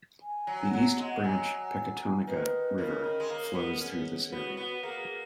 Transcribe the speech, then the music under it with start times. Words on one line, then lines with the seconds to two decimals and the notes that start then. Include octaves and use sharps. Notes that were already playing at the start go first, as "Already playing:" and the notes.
The East Branch Pecatonica River flows through this area.
0.22 G#5
0.47 F#3
0.72 F#3 F#5
0.99 G#3
1.24 F#3 G#5
2.27 D#3 B4
2.78 C#3 A#4
3.04 D#3
3.20 G#3
3.30 A#3
3.55 B3
3.81 C#4 G#4
4.31 B3 F#4
4.57 B3
4.83 A#3 G#4